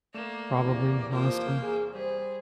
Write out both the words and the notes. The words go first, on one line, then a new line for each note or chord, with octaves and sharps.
Probably, honestly.
A3 A#3 D5 E7
E2 C3 E3
F3 A#3 C5 G5
G#4
G3 G#4 C5